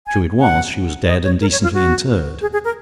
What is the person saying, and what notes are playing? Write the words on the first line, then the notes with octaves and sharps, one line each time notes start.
True it was, she was dead and decently interred.
G#5
F#5
D#5
C#5
A#4
C#5
F4
F#4
G#4
G#4
A#4